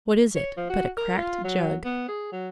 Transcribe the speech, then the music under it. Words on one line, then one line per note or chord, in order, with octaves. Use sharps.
What is it but a cracked jug?
C#5
F3
F#4
A#4
F4
F#3
B3
G#4
F#3